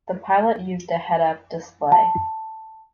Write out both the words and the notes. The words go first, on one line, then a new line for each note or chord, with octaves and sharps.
The pilot used a head-up display.
A5